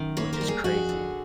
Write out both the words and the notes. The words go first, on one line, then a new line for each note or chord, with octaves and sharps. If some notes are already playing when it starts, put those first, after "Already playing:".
which is crazy.
Already playing: F#2 D#3
A#3 B4 C#5
A#4 C5
G3
G#4 A#4
F2 F#4 G#4
D3